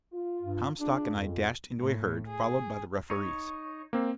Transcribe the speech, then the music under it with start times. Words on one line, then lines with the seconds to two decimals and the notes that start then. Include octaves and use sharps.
Comstock and I dashed into a herd, followed by the referees.
0.12 F4
0.42 G2
0.79 D4 F4 G#4
1.15 F2
1.80 A2
2.28 G#4
3.10 D#4 C#5
3.93 A#3 C4